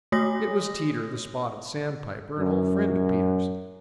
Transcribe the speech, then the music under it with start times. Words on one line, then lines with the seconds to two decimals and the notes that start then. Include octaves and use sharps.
It was Teeter the Spotted Sandpiper, an old friend of Peter's.
0.12 A3 F#4 C#5 D#6 A#6
2.39 F#2